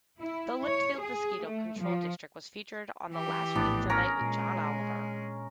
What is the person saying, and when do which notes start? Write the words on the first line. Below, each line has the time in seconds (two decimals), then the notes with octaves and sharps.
The Litchfield Mosquito Control District was featured on "Last Week Tonight with John Oliver".
0.20 E4
0.64 C#5
1.01 G#4
1.44 A3
1.81 F3
3.10 E3 G4
3.55 A#1 A2 B3 D4
3.90 C#4 A#4 A#5
4.21 A#2 G#3